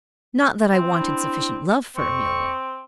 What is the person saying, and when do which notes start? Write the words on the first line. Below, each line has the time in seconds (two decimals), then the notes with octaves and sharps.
Not that I wanted sufficient love for Amelia.
0.73 C4
0.99 D4 E4
1.97 F2 C4 C#6